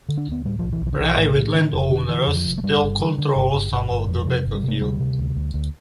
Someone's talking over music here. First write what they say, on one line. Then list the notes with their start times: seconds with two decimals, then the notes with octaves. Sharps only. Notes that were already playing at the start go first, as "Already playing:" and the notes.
Private landowners still control some of the battlefield.
0.09 D3
0.18 D4
0.27 D2 B3
0.45 A2 G3
0.59 B1 F3
0.73 E3
0.81 B1
0.86 E3
0.93 D3
1.00 B1 E3
1.17 A2
1.36 A2
1.54 D3
1.73 F1
1.90 D3
2.08 D3 E3
2.27 F2
2.35 F3
2.46 F1
2.58 A3
2.63 G2 G3
2.82 G1
3.00 D3
3.18 D3
3.36 G1
3.54 G1
3.72 G1
3.91 G1
4.08 F2
4.27 C3 F3
4.45 G1
4.54 G3
4.63 C3 A3
4.81 D2 G3
5.00 C3
5.18 D2
5.36 D2
5.54 D2